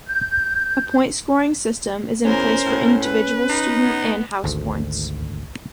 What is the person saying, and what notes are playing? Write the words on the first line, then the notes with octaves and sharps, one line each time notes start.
A point scoring system is in place for individual student and House points.
G6
E2 C#4 A#4 C5
A2
B4
D#4
B3
G#1 D2